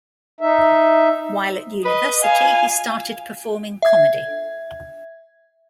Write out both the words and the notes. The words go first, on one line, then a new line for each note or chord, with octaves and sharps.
While at university, he started performing comedy.
D#4 E5
B4 D#5
F5 G#5
E5 G#6